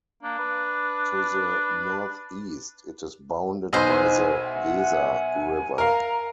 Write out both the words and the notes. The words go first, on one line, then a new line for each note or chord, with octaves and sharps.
To the northeast it is bounded by the Weser river.
A#3 D4
B4
B1 D#4 B4 C5 D#5 G#5 C6
E5 F#5
G#5
A#4 F5 A#5